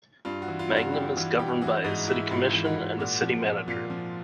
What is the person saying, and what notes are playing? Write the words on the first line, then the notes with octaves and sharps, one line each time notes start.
Mangum is governed by a city commission and a City Manager.
G2 F4
F#4
E3
F4
G2
F#4
G2 G4
E3 F#4
G2 G4
E3 F#4
G#2 D#4
G#2 E4
G#2 F4
E3
F#4
G#2
A#2 F#4
F3
A#2
A#2 F4
F3